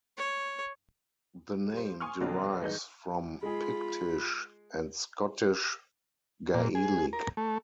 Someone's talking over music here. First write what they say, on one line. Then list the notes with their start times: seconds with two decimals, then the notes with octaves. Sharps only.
The name derives from Pictish and Scottish Gaelic.
0.17 C#5
1.73 G3 C5
2.00 G#5 C6 C#6 D#6 F6
2.21 F2 B2 D3 F#3 D4
2.61 G2 E3 G#3 D#4 B4 G6
3.43 G#3 F4 G#4 B5
6.54 A#2
6.75 G#4
7.13 A#4
7.37 A3